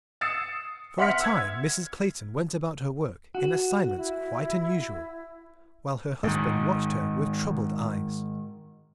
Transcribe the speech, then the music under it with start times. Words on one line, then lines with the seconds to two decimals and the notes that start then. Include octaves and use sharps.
For a time Mrs. Clayton went about her work in a silence quite unusual, while her husband watched her with troubled eyes.
0.21 D#6 E6 A6 C7 C#7 E7
0.98 E5 F#5 C6 F6 B6 C#7
1.20 E6 G#6
3.35 F#4
3.96 E4
6.24 G#2 D#3